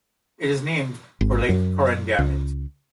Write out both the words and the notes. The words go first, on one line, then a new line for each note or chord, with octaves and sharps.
It is named for Lake Corangamite.
G#1
F#2
C#2